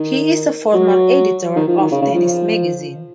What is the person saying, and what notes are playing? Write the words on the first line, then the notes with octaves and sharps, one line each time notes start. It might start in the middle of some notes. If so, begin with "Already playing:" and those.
He is a former editor of "Tennis Magazine".
Already playing: D#3
F#3
D#3
F3
D#3
C#3
C#3
F3